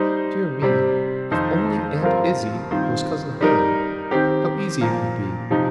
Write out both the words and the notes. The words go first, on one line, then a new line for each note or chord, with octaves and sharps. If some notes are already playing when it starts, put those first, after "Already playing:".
Dear me--if only Aunt Izzie was Cousin Helen, how easy it would be!
Already playing: G3 D#4 C5
C3 G3 C4
F2 D#3 C4 D#4 C5
G2 F3 C4 F4 A#4
G2 D#3 C4 F4 C5
G3 D#4 A#4
D#3 C4 G4
A#2 F3 A#3
C3 F3 D#4